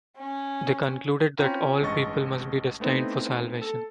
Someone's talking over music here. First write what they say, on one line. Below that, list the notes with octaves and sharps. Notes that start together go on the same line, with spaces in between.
They concluded that all people must be destined for salvation.
C#4
C4 C#4 F4 G5 A#5 B5
A1 G2 G#3 D#5 C#6 A6
A3 B3 C4 D#4 E4
A4